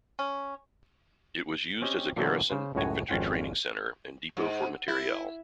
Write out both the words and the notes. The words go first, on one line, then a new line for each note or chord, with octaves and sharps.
It was used as a garrison, infantry training center, and depot for materiel.
C#4
C4 C#4 G4 D#5
A#2 D3 E3 F#3 B3 C5
C#3 C5
C#2 F#2 A2 F#4 C#5 G#5
G#1 F2 C#4 F4 F#5 G5
G#2
E4